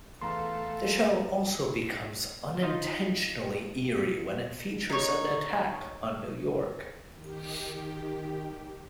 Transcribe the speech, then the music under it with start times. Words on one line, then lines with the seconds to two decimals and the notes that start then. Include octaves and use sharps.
The show also becomes unintentionally eerie when it features an attack on New York.
0.21 E2 A3 F5 A#5 C6
2.62 D#4 F4 C5 D#5 F5
4.90 D#4 C#5
7.14 D#3 G4